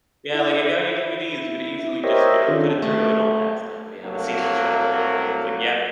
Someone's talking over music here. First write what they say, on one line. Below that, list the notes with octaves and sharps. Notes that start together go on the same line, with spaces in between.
yeah, like, if you have anything with these, you could easily just, you know, put it through and all that stuff if you have a CD drive, and you'd like, "Yep,"
E4
G4 A#4 C5 C#5 D#5 E5
D#3 C#4 D4 F4 A4
A3
C2 F#3 A3 A#3